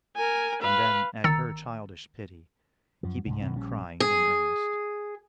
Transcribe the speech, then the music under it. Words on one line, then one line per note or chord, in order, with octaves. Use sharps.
And then, at her childish pity, he began crying in earnest.
A#4 G#5
B4 F5
G1 D#3 A#5 E6 A6 C#7
F#2 F3
C2 G#2
B2 D#3 C4
A#1 G3 C#4
G#4